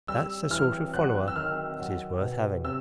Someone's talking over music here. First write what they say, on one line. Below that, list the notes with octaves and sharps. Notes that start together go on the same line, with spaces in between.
That's the sort of follower that is worth having!
G3 E6
E3 F6
F#3 F#6
E6
D#3 F6
F#3
B2
C3 E6